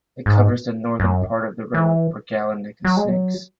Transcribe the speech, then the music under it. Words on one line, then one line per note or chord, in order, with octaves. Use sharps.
It covers the northern part of the river Bregalnica sinks.
G#2
F#2
E3
F#3
G#3
F#3